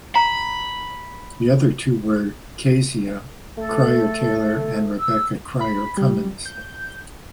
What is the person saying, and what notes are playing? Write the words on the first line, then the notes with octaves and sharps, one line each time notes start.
The other two were Kezia Cryer Taylor and Rebecca Cryer Cummins.
A#5 B5
A3 A4
E6
B5
G3
G6